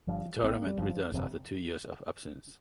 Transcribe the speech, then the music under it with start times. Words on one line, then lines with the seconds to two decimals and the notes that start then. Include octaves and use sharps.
The tournament returns after two years of absence.
0.07 G1 G2 F3
0.43 A#1 A#2 C4
0.56 A#3
0.66 G3
0.78 G1 G2 F3
1.12 G1 F2 C3